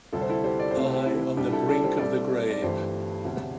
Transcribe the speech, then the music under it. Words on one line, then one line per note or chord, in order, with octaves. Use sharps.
I on the brink of the grave!
D2 C3 G3 C4 A4
C5
E4 A4
G4 C5
D5
C2 C3 A3 C4 C5
A4
G4
E4
C2 C3 G3 D4 G4
E4 A4
A4 D5
G4 C5
C2 C3 G3 C4 A4 D5
D5
G1 G2 E3 A3 G4 C5
E1 D2 C3